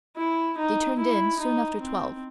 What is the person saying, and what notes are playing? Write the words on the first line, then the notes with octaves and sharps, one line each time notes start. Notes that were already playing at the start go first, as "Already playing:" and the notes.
They turned in soon after twelve.
E4
D#4
E4
D#4
C4